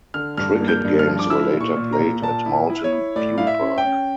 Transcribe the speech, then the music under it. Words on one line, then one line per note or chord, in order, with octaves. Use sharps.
Cricket games were later played at Mountain View Park.
D3 F6
G2 F6
A#3
G6
G2
F6
F3
D6
E4 E6
A#2
C#6
A#2
A#5
A#2
A#2 A5
E4
E4
C#5
E4
A2 D5
E4 F5
E5
C#4
G5
C#4